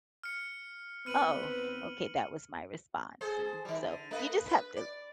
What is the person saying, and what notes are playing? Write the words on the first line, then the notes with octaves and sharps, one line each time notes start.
"Oh" okay, that was my response, and so you just have to
F6 C#7
D#2 B3 C4 B4 F6 D#7 F#7
G#4 A4 C5
D#3 G3
D3
A3 B4 D#5
B4
D5